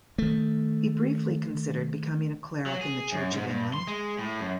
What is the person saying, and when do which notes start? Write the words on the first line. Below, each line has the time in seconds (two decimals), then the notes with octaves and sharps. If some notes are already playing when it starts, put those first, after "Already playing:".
He briefly considered becoming a cleric in the Church of England.
0.18 D#3 A3
2.66 F#3
2.81 G#4
3.12 F#2
3.33 G#2
3.50 G2
3.74 C6
3.87 G#3
4.19 A2
4.40 F#2